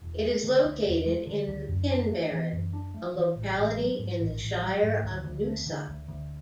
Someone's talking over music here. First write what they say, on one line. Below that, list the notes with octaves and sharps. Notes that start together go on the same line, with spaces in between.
It is located in the Pinbarren, a locality in the Shire of Noosa.
E1
G#3
D3
D2
E1
G#3
D3
D2
F#2
D4
A3
E3
F#2
D4
A3
E3
A1
A1
F#3
G#2
A1
A1
F#3
G#2
D2
D2
A3
D3
D2
D2